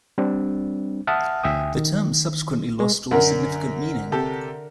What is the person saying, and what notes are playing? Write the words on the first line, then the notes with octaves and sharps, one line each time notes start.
The term subsequently lost all significant meaning.
G3 C4 D4
E5 F#5 A5 D#6 F6
D2 E5 G5 G#5 D#6
D#3
G#3
F#2 D3 A#4 F#5
C3 G4 A4